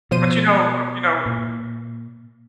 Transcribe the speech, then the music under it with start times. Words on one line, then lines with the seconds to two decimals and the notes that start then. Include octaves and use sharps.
But, you know, uh, you know
0.11 B2 F3 C5 D#7
1.26 A#2